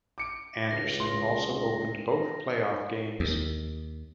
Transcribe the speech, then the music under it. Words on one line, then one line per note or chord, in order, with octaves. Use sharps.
Anderson also opened both playoff games.
D6 C#7 D7
C#2 A#6
C6
D#2